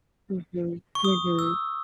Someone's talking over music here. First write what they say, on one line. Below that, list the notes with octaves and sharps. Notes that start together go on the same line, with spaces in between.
Mhm, mhm.
C#6
D#6
E6